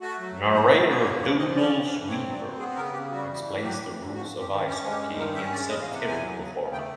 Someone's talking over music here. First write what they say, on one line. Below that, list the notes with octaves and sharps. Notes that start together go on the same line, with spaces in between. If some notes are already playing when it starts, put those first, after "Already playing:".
Narrator Doodles Weaver explains the rules of ice hockey in satirical format.
A3 F#4
F#3
A2
A#3 C5
D3 B4
A#3 C5
E2 C#5
F3 C#5
F3 D#5
C#4 D5
E3
G2
C4 C#5
F#3
D5
C4
B3 G#4
C#3 A#4
C#3 G4
G3 F#4
E3
A2
F#3 G4
D3
D3
F2 F#4
F2
G4
D#3
C#4 G4
G#3
G4
G2
D#3 A#4
C#4 E5
G#3 D5
E2 D#5
F5
C3
F#5
E2 G#5
F#3
C#3
C#3
A3 G5